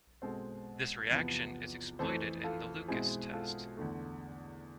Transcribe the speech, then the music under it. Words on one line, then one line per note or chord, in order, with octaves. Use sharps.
This reaction is exploited in the Lucas test.
B2 G#3 C4 A4 C5
E2 C3 F3 B3
F2 E3 A3 A4 C5
F4 A4
B2 G#3 C4 E4 G#4
F4 A4
E2 D3 A3